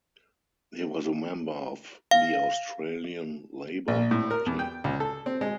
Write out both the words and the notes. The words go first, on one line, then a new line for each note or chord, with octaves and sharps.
He was a member of the Australian Labor Party.
F5
A#1
A2
A#4
E2
G5
C#2
A4
C4
G#3